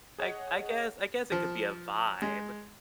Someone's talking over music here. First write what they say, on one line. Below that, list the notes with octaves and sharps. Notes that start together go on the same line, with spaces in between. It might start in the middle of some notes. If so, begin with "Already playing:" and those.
I I guess I guess it could be a vibe.
G#4 C#5 D#5 F#5
F3
G#3